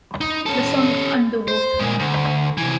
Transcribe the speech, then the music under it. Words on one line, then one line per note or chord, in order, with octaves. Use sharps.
The song Underwater!
D#4
C#4 A4
C5
A#2 G#3
D2
C3 E3